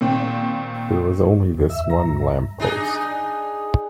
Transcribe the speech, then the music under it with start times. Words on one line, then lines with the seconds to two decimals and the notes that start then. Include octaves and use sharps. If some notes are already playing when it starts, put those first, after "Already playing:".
There was only this one lamp-post.
0.01 A#2 D#3 C4
1.55 E2
1.70 E5
1.90 A#5
2.05 G2
2.60 D4 D#4 G#4